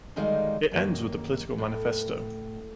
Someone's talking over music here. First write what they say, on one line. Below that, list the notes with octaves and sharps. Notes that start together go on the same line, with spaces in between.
It ends with a political manifesto.
D2 D#3 G3 G#3 D#4 F5
F#2 D#3 A#3
A2